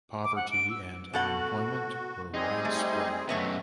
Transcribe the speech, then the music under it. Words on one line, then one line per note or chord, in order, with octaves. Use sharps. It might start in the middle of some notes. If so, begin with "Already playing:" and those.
Poverty and unemployment were widespread.
D6
F#5
D7
E6
B2 F#4 A4 F#5
G3 C4 D#4 G#4
A3
F#2 A3 B3 C#5 D#5 E5